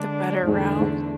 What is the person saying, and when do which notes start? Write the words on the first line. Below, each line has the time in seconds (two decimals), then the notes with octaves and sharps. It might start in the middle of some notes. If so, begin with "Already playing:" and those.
The better route.
Already playing: D3 G#3 D4
0.44 E2 G#2 D3 A3 D4
0.76 G#2